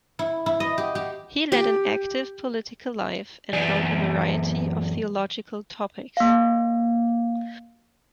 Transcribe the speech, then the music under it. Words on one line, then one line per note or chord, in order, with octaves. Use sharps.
He led an active political life and wrote on a variety of theological topics.
E4
E4
D#5
G4
G4
G4
F#2 E3 D5 G#5
A#3 F5